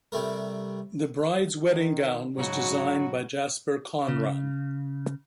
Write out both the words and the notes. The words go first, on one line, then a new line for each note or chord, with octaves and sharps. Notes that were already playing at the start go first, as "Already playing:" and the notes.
The bride's wedding gown was designed by Jasper Conran.
C3 G3 A3 A#4
D#3
G#2 C#3 F#3 F#4
C#3